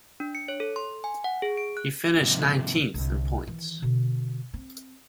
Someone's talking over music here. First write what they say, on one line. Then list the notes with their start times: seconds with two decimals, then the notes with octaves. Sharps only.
He finished nineteenth in points.
0.20 D4
0.35 C#7
0.48 C#5
0.60 A4
0.76 C6
1.04 G#5
1.24 F#5
1.42 G#4
1.57 D7
1.77 F#6
2.21 G#2 C3 D#3 F3
2.94 C2 D3
3.47 D#3 E3
3.82 B2 D3
4.54 C4